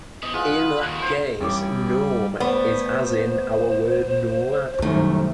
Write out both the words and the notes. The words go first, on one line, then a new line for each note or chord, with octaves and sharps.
In that case, -nome is as in our word nomad.
F2 B3 D#5
F4 G#4 B4 F#5
D#2
E4 F4 A#4 C5
A1 G3 D6
A3 B3 C5 D5
C2 F#2 D#3 A3